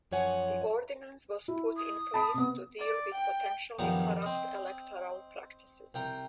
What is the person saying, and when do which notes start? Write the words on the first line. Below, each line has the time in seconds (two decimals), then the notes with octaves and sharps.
The ordinance was put in place to deal with potentially corrupt electoral practices.
0.11 F#2 F3 C#5 F#5 G#5
1.48 E4
1.77 D#6
2.14 A5 B5
2.34 C3 B3
2.79 D5
3.14 G5
3.79 A#1 F#2 D#3 G3 B3 A#5
4.22 C4 D#5
5.94 C2 G5 A#5